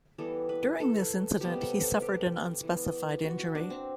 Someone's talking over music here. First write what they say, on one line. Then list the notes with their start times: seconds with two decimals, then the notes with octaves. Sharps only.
During this incident, he suffered an unspecified injury.
0.18 E3 G3 B3 A4
0.49 B4
0.80 A4
1.41 C3 G3 B3 G4
1.61 A4
1.82 A4
2.02 G4
2.63 E3 G3 B3
3.24 F#4
3.39 F#4
3.55 D4
3.70 C4